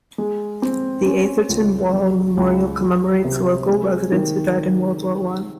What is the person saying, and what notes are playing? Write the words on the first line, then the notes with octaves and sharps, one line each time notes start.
The Atherton War Memorial commemorates local residents who died in World War One.
G#3
C4
C#4
C#2
F#3
C#2
F#3
C3
G#3
D#3